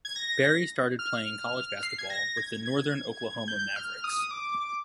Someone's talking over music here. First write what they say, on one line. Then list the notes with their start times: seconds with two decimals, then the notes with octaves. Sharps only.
Barrie started playing college basketball with the Northern Oklahoma Mavericks.
0.05 G#6
0.16 A#6
0.99 F6
1.83 C7
1.99 G#6
2.10 A#6
2.37 G#6
2.66 G#6
3.48 G6
3.76 F6
4.04 D#6
4.31 D6